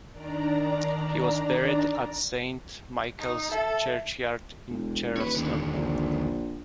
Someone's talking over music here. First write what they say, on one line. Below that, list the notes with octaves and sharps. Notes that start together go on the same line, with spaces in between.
He was buried at Saint Michael's Churchyard in Charleston.
D#3 D4 D5 A#5
D#4
A4 E5
E1
D#1 B4 C#5
D#2 D3
A#1